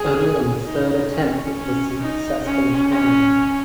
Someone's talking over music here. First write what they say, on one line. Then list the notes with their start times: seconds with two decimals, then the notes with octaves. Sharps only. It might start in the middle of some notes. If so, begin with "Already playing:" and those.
Only on the third attempt it was successfully climbed.
Already playing: G#4
0.65 D#4
1.10 C#4
1.55 C#4
2.01 D#4
2.46 C#4
2.91 C#4